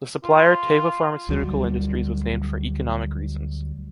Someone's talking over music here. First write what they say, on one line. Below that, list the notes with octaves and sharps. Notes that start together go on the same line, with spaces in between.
The supplier Teva Pharmaceutical Industries was named for economic reasons.
F4
D2 F#3 G3